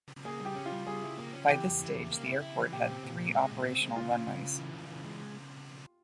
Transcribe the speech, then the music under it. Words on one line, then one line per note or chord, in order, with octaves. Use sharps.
By this stage, the airport had three operational runways.
A#3 G#4
G3 G4
C#4
F4
G3
G3 G#4
E4
A#3
C#4
E3 G4
E2
E3
E2
A#3
E4
E4
E3
A#2 G4
C4
A#2
A#2
G#3
A#2
C4
G#3
C#3 F4
C#3
C#3
C#3
E3
C#3
E3
G#3